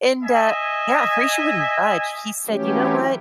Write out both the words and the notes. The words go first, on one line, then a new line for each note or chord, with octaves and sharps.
And, uh Yeah, Horatio wouldn't budge. He said, "You know what?
D#5 E5 G#5
E3 F#3 A3 C#4 G4